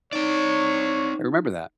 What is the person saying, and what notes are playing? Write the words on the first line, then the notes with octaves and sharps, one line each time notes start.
I remember that.
C4 D#4 C#5 D5